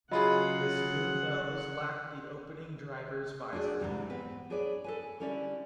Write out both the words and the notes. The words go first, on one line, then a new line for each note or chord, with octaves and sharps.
This new nose lacked the opening driver's visor.
C#3 F#3 F4 G#4 D#5 F#5 B5
D4 F#4 G#4 D5
G#2 C3 E3 G3
B3 C4 B4
D4 G#4 B4 C#5 D5
A4 B4 G#5
D3 G3 C#4 E4 D5